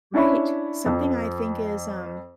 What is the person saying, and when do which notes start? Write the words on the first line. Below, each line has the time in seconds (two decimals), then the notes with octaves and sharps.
Right. Something I think is, um,
0.14 C#4 D4 E4 C#5 B5
0.86 F2 F3